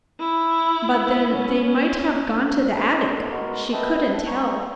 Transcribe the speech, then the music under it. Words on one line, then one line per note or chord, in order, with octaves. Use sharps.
But then they might have gone to the attic--she couldn't tell.
E4
C#4
A4 D#5
G#3 B3 F#4 A#4
B4 D#5 E5 G5 A5
A#5 C#6